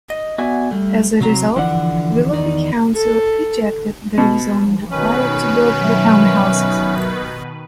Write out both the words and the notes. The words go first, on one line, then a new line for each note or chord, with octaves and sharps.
As a result, Willoughby Council rejected the rezoning required to build the townhouses.
D#5
B3 F#4 D5 E5 G#5
G3 A3
C3 F#3 C4 A#5
D3 E3 F3 D4 D5 F#5
E2 D#3 D#4 D5
A4
B2
B2 D#3 C#4 B4
F#3 E5